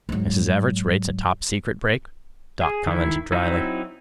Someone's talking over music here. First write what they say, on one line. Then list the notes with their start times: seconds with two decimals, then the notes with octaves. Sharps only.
"Mrs. Everts rates a topsecret break?" Doc commented dryly.
0.09 G#2 F#3
2.62 G#4
2.87 D#3 E4
3.32 F#3 C4 D#4 E4